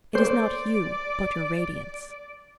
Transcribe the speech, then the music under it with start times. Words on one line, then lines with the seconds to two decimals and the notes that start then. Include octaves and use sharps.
It is not you, but your radiance.
0.15 C5 D5